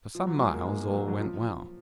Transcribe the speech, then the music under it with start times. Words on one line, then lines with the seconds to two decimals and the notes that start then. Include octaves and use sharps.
For some miles all went well.
0.15 F3
0.27 F#3
0.41 G#3
0.53 A#3
0.67 G#3
0.80 A#3
0.94 F#3
1.08 F#3
1.20 F3